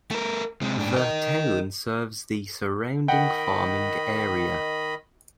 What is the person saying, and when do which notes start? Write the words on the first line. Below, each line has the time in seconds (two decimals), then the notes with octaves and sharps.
The town serves the surrounding farming area.
0.11 A3 A#4
0.61 C3 G#3
0.77 G#2 D4
0.96 A#4 D#5
3.08 D#3 D#5 F#5 G5 B5